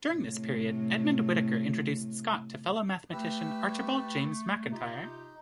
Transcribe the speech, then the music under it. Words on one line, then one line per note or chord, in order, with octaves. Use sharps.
During this period Edmund Whittaker introduced Scott to fellow mathematician Archibald James Macintyre.
A2 C3
A3 G4 B4 E6
C3 D#4 F4 G4